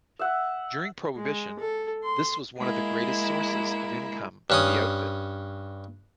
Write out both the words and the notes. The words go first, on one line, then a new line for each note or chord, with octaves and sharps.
During prohibition, this was one of the greatest sources of income for the Outfit.
E5 F#5
G#3
A4
C6
G#3 A#3 E4
G2 C#4 D#6